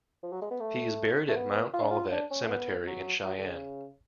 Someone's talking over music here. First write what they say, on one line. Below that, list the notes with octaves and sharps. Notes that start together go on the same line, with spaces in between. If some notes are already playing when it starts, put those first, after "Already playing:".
He is buried at Mount Olivet Cemetery in Cheyenne.
F3
F#3
G#3
B3
A3
A3
B3
F4
D4
F4
D4
C#4
A3
B3
F#3
F#3
D3
C#3